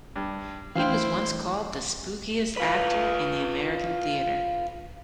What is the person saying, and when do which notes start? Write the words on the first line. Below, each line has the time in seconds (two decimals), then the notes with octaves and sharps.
He was once called "the spookiest actor in the American theatre".
0.16 G2
0.75 E3 A3 E4 C5 F5 G5
2.57 F4 B4